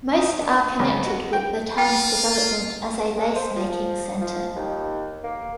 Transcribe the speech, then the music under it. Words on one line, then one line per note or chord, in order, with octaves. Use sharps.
Most are connected with the town's development as a lace-making centre.
D#4
D4
C#2
F#4
G5
F4 G5
G#3
C5
F3
F3
D#2
A#3